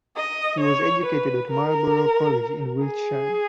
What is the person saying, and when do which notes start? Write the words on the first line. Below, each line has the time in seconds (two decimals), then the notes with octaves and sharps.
He was educated at Marlborough College in Wiltshire.
0.17 D#5
0.61 C#5
1.06 B4
1.50 A#4
2.84 G#4